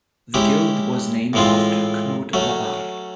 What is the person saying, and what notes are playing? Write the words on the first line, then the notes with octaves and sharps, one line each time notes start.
The guild was named after Knud Lavard.
G#3 C#4 E4 G4
A2 E3 G#3 C4 F4
F#3 A3 C#4